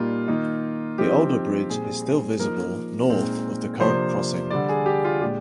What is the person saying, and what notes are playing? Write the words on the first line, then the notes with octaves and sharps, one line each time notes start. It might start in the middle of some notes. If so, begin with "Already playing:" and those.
The older bridge is still visible north of the current crossing.
Already playing: A#2 G3 A#3 D#4 F4
D#3 A#3 D#4
F3 C4 D#4 G4
A#2 G3 C4 G#4
F3 A#3 D#4 A#4
A#2 G#3 C4 D#4
C3 F3 A#3 D4 C5
D3 G3 D4 D5
G#4
G4
F4
A#2 G#3 D4 G4